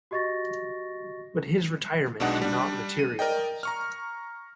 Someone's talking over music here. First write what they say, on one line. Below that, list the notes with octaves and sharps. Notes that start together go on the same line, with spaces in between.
But his retirement did not materialize.
F#4 G4 D#5 C#6 A6 A#6
B1 B2 G#3 D4 D#4 F#5
G3 D4
D#7
A#4 D5 D#5 G5
A#5 C#6 F6